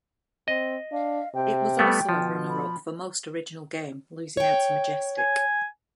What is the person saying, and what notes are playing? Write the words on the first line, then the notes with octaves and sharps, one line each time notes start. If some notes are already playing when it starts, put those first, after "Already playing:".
It was also runner-up for "Most Original Game", losing out to "Majestic".
C4 D#5
D4 F5
C3 G5
G3 A3 B3
B2 F3
B5
C#5 G5
G#5